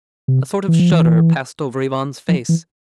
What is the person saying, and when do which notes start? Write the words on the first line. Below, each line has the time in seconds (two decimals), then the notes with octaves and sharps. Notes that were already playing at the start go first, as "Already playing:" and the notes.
A sort of shudder passed over Ivan's face.
0.28 C3
0.68 E3
0.79 F3
0.92 E3
2.29 F3
2.49 E3